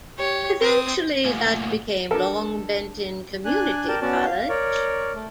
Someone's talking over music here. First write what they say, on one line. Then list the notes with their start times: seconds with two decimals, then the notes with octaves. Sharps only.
Eventually that became Longbenton Community College.
0.18 G4 C#5
0.61 C4 D#6
1.25 A2 A3 A#3 F4 F#5 G#5
2.11 D4 A4 A#4
3.45 D4 G#5 F#6
3.88 A#4 D5 G5 A5
4.01 B3 C#4 F#4 D5 A5
4.25 F5
4.49 A#4 C#5 D5
5.14 A3